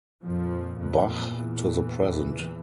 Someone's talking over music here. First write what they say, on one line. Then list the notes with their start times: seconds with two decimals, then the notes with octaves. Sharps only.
Bach to the present.
0.23 F2 A#2 F3
0.78 F2 F3
1.33 E2 E3